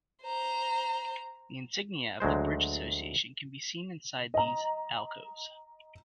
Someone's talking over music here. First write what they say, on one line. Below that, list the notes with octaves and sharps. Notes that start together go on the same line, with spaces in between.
The insignia of the Bridge Association can be seen inside these alcoves.
C5 A#5
D2 F#3 G#3 C5
D#5 A#5